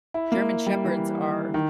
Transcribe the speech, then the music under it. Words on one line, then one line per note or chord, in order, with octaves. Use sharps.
German Shepherds are,
E4
A#3
G3
E3
D#3